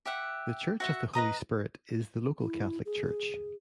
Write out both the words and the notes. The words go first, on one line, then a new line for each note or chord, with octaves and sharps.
The Church of the Holy Spirit is the local Catholic church.
G4 E5 F#5
F#4 E5 F#5
B4 D#5 A#5 D#6
E4
G#4